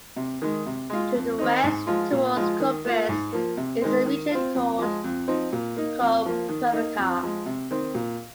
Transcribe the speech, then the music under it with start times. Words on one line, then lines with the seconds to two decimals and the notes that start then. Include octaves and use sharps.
To the west towards Kupres is a region called Koprivica.
0.16 C3
0.42 D#3 G#3
0.66 C3
0.90 G#3 F4
1.14 F2
1.38 D#3 C4 D#4
1.64 G#2
1.87 F3 G#3 F4
2.12 A#2
2.36 F3 G#3 F4
2.60 D#3
2.85 A#3 F4
3.09 G#2
3.33 F3 A#3
3.57 C3
3.82 D#3 G#3 C4
4.06 D#3
4.31 C4 F4
4.55 F2
4.79 F3 G#3
5.04 F2
5.28 F3 C4 D#4
5.53 A#2
5.76 A#3 D#4
6.00 F2
6.25 F3 A#3
6.49 D#3
6.73 A#3 D#4
6.98 F2
7.22 F3 G#3
7.46 C3
7.71 D#3 C4
7.94 A#2